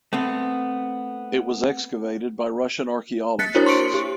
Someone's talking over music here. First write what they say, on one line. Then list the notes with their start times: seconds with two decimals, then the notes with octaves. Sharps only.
It was excavated by Russian archaeologists.
0.13 A3 B3 C4
3.39 A#3 F#6 A6 B6 C#7
3.55 D4 E4 F#4 A#4 C5 C#5
3.66 C6 C#6 C#7 D7
3.94 G4